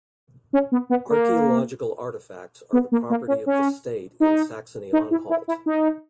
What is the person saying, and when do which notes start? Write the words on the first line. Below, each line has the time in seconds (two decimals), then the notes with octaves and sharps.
Archaeological artifacts are the property of the state in Saxony-Anhalt.
0.53 C#4
0.72 B3
0.90 B3
1.09 A#3
2.73 B3
2.92 A#3
3.10 A#3
3.28 C#4
3.46 C#4
4.20 D#4
4.93 D#4
5.11 E4
5.29 E4
5.48 E4
5.66 D#4